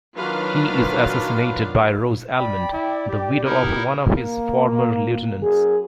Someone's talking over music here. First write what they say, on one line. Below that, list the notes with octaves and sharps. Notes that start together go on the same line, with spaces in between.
He is assassinated by Rose Almond, the widow of one of his former lieutenants.
D#3 F#3 D4 F4 B4 F5
D5 G5 B5
E4
G4
B3 D#4 E4 A#4
A#3
F#2 G#4